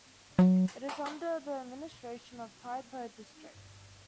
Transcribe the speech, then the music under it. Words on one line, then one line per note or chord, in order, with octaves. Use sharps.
It is under the administration of Tai Po District.
F#3